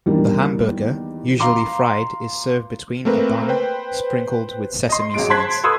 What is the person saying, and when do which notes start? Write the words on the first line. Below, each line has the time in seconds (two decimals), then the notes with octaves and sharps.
The hamburger, usually fried, is served between a bun, sprinkled with sesame seeds.
0.06 E2 D#3 G3 A#3 D4
1.40 F5 A#5 C6 D6
3.05 A3 A#3 C4 A#4 B4
3.48 B4 C5 G5
4.89 D#5 C6
5.14 G#1 F#3 G#3 D7
5.30 C5 A5 C6 F#6 G#6 B6
5.63 A4 B4 C6 D#6 E6 G#6